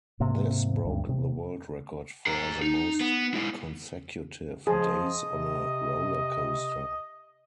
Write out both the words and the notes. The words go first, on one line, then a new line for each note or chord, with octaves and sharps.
This broke the world record for the most consecutive days on a rollercoaster.
G#2 C3 A#3
D2 G2
C3
G#4 A#5
D#4
B3
G#3 E4
F3 G#4 D#5
C3